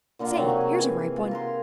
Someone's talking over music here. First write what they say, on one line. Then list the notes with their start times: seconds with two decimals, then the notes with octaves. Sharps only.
Say--here's a ripe one.
0.19 A#2 D3 A#3 F4
0.36 C3 F#3 D#4 C#6
0.57 G#4 G#5
0.79 E3
1.17 F4
1.31 A#4 F#5 C6